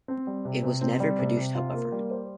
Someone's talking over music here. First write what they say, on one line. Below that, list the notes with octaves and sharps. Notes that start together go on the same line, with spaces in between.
It was never produced however.
C4
G3
C3
C3
C4
G3
C3
C3
F4
A#3
G3
C5